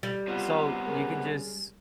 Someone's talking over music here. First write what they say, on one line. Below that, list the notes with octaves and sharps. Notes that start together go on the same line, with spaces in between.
So you can just
G3
C3 B3 F4
G#3 C#4 A#4